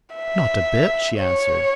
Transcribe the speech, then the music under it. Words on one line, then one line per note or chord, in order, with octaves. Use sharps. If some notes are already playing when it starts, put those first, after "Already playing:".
"Not a bit," she answered.
E5
C#5